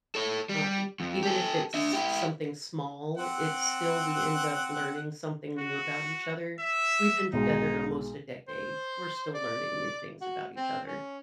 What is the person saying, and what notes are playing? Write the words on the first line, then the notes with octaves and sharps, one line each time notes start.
Um, even if it's something small, it's still we end up learning something new about each other. We've been together almost a decade. We're still learning new things about each other.
A4 C#5
G3
F2
G4 A4
D4 E5
E4 G4
C4 F#5
F#4
E5
B1 G#2 D#4
C5
D5
F#4
C4
C#4